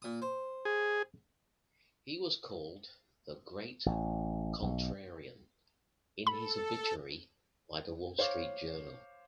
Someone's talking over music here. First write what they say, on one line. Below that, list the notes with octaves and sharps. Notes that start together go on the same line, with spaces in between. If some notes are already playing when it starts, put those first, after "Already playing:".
He was called "The Great Contrarian" in his obituary by "The Wall Street Journal".
A#2 D#6
C5
G#4
A1
B1
A4 B5
C5 C#5 F5 D6